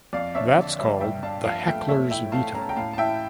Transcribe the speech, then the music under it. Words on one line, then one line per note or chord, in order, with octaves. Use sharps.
That's called the 'heckler's veto'.
F2 D5 F5
D4 C#5 E5
D3
G3 C#5 E5
G2 E5 G5
D4 F5 A5
F3 F5 A5
A3 E5 G5
A#2 C#5 E5
E4 E5 G5
A3 F5 A5
C#4 A#5
A5
G5 A#5
A2 F5 A5
A5
E4 E5 G5